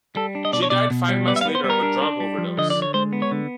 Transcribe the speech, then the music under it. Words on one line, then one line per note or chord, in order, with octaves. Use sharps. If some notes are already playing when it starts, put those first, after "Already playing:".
She died five months later of a drug overdose.
G3 A4
D4
D#5
B2 D5
C#5
B2 D5
B2
G3
B3 D5
E5
F5
B3
C5
G3
A#4
D4
D4
G3
F3
D3 D#5
D5
D3
C#5
G#3 C5
B3
C#5
D3